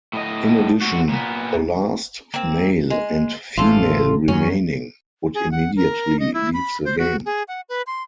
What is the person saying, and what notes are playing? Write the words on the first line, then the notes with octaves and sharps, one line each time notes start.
In addition, the last male and female remaining would immediately leave the game.
A2 D#5
C4 F#4
A#2 B3
A#3 C4
G#3
A1 A2 F4 A4
F#2 F#3 C#4
G#4
F#5
A#4
D#5
E4
B5
C5
F#4
G#4
F#5
B4
C6